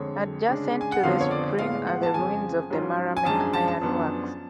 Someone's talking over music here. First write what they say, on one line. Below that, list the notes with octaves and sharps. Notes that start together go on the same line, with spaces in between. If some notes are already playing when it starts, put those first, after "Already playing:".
Adjacent to the spring are the ruins of the Maramec Iron Works.
Already playing: F2 D3 G#3 C#5
C#3 G#3 D4
G#5
F#5
F2 D3 F3 B3 F4 F5
C#5
D5
A2 G#3 B3 F4 F5
F#5
A5
F2 C#3 F3 G#3 G#5
G#2 F#3 C#4 F4
G#5
F#2 F3 G#3 D4 A5
G#5
A5
A5
F#2 F3 B3 D4 F4